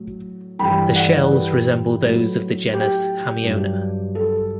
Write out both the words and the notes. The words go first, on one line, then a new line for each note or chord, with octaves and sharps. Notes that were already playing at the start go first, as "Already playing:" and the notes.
The shells resemble those of the genus "Haminoea".
Already playing: A2 F#3
G2 E3 G3 G5 B5
D5 F#5
G4 B4
A2 F#3
G4
G2 F#3
A4